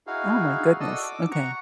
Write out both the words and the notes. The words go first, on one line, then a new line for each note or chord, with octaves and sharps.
Oh, my goodness, okay.
D#4 E4 F#4 G#4 F5
F#4 A4 D5 D#5 D#6 E6
D6
F#5 A#5 C#6